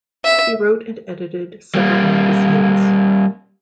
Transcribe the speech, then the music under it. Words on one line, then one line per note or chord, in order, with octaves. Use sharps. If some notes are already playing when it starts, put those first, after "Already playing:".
He wrote and edited several magazines.
E5
G3 A#3